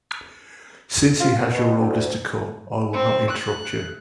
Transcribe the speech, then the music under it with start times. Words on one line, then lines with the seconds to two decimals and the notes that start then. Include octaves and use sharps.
Since he has your orders to come, I will not interrupt you.
1.19 F4
1.36 F#5
1.52 B2
1.78 D2
2.93 C4
3.30 F#6